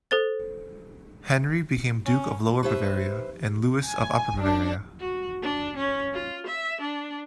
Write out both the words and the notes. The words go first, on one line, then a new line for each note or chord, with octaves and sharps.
Henry became Duke of Lower Bavaria, and Louis of Upper Bavaria.
A4 C5 A6
C#4
D#4 G4 B4 C5 E5
G#5
D4
F#4
D4
C#4
F4
E5
D4